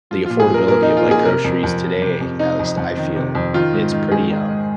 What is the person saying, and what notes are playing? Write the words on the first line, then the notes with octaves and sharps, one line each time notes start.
the affordability of, like, groceries today, at least I feel it's pretty, um,
F3 F4
F4
A#2
G#4
F3
A#4
A#2 A#4
D#4
F3
F4
A#2 G#4
C3 A#4
F2
F2
F3
C3
F2
C3 D#4
F2
F2
D#3
C3
F2
D#3 F4
G#2
D#3
G#2 G#4
D#3
G#2